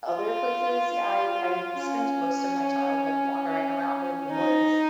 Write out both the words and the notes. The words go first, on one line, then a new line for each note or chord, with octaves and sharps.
other places? Yeah, I I spent most of my childhood wandering around in the woods.
F4
C#4
D#4